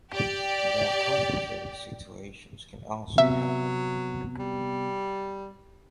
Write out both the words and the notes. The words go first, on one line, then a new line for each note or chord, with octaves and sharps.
More complicated situations can also happen.
G4 D5
C3 F#3 B3 E5
G3